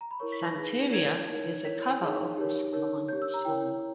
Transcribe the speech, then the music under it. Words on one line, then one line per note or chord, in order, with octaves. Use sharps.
"Santeria" is a cover of the Sublime song.
A#5
B5
E4 A#4 C#5 C#6
B6
A#6
D#4 G#4 B4
E4 A#4 C#5 G#6
D#4 A#4 C#5
E4 A#4 C#5 B6
D#4 G#4 C#5
D#4 G4 A#4 C#5
D#4 A#4 C#5
G4 C#5 G6
E6
A#5
E4 A#4 C#5 G5